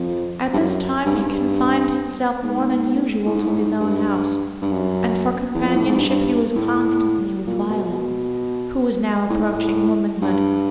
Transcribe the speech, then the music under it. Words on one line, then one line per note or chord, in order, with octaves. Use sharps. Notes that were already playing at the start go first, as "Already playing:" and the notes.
At this time he confined himself more than usual to his own house, and for companionship he was constantly with Violet, who was now approaching womanhood.
Already playing: F2
G2
F#2
G2
G#2
G2
G#2
A2
G#2
A2
G#2
G2
G2
F#2
E2
F2
A2
G#2
G2
G2
A2
A#2
B2
A#2
B2
A2
G#2
A2
G2